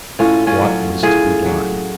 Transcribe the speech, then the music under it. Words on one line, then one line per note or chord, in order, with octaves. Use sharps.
What was to be done?
A2 C#4 F4
C#4 F4
F#3
A2 F4 G#4
F#3